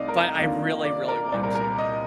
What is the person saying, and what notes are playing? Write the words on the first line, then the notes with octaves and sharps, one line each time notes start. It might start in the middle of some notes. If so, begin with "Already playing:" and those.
But, I really, really want to.
Already playing: C2 C3 A3 D#4 D5 D#5 F5
A#4
F2 D#3 A#3 D4 F4
D5
A#4
C2 A#2 G3 C4 D5
A#4
A#4
D#5